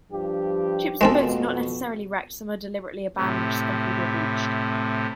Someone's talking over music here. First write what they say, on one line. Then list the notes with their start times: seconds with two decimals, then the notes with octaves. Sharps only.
Ships and boats are not necessarily wrecked: some are deliberately abandoned, scuttled or beached.
0.12 G2 F3 G4
1.01 F2 B2 G#3 C4 A4
3.17 A2 C3